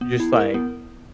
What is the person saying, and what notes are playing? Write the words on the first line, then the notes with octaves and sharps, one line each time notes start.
just, like,
B3
E4
A#4
B3